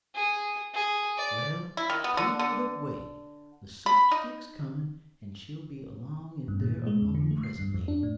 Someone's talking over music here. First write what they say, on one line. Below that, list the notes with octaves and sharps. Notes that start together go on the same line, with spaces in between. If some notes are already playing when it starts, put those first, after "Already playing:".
"Well, clear the way! the Soap-stick's coming, and she'll be along in there among 'em presently."
G#4
G#4
D5
E4
D#3
B3
D3
D3
B5
D#4
G2
A#2
A#2
G#3
F2
D3
A3
C7
G2
F2
D4
A2